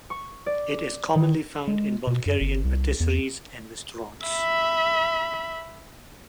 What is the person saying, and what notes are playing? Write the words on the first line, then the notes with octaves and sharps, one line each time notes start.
It is commonly found in Bulgarian patisseries and restaurants.
C#6
D5
B6
D#3
G#3
B2
F#2
G1
C2
E2
E5 B5